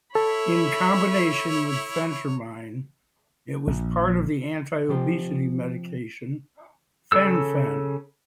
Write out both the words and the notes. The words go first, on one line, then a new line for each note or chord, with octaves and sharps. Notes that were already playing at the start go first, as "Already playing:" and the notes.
In combination with phentermine, it was part of the anti-obesity medication Fen-phen.
E4 A4 C#5 E5 B5
A#1
C3 F3 G4 C5
C#3 D4 A4 E6